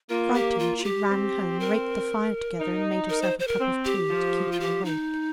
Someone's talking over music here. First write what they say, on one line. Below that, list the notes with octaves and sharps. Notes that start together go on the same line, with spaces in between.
Frightened, she ran home, raked the fire together, and made herself a cup of tea to keep her awake.
A#3 F4
G4
F4
F4
G4
C4
A#4
D#4
A#4
C5
C5
A#4
C4
G4
F3
F4
G4
D#4